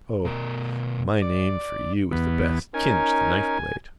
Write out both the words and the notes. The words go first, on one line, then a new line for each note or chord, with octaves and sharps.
O, my name for you is the best: Kinch, the knife-blade.
B2 A#4
D5
E2 B3
C#4 D#4 A#4 G#5